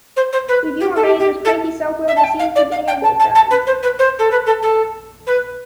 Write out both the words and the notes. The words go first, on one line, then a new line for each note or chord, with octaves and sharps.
We view our maids as cranky self-willed machines for getting our work done.
C5
C5
B4
G4
A4
G4
G4
A4
E5
A5
G5
F5
D5
F5
G5
A5
A5
A5
B4
C5
B4
C5
A4
B4
A4
A4
B4